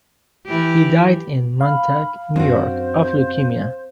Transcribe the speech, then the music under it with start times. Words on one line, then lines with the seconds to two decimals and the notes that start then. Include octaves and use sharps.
He died in Montauk, New York of leukemia.
0.46 E3 G4
1.61 F5 B5
2.36 F#2 C4 D4 F#4 C5